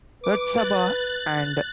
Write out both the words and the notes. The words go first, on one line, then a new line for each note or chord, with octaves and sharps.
Yotsuba and !
B4 D6
F#6 A6